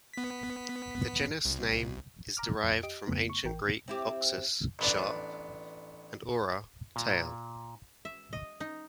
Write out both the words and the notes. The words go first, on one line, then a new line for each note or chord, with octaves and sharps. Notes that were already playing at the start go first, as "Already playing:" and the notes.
The genus name is derived from Ancient Greek "oxus", "sharp", and "oura", "tail".
B3 B6
C2
A#5 D6 F6
F2
G4 D#5 D7
F2 C#3 A3 B3
C#6
A1 E3 A#4 G5
C4 E4 G4
A1 B3 D4
A#2
E5
D#5
D#4